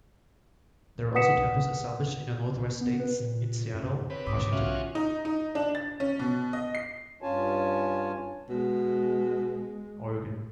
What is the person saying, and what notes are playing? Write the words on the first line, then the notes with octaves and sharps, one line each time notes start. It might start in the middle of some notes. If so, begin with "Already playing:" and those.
There were also temples established in the Northwest states, in Seattle, Washington and Oregon.
B4 F#5 D#6 B6 C#7 E7
B3
B4
A#2
F#2
C3 B4 C#5
G#2 D#3 D6 D#6 D7
B1 C#4 F4 F#4 E5
D#4
D#4
D4
A6
C#4
B2
D#5
C7
G2 C#4 F4 C#5 G#5 A5
B2 G#3